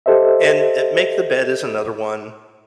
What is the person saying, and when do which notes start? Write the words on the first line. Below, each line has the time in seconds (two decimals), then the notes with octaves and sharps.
And, eh, make the bed is another one,
0.06 G4 A4 C5 D#5 E5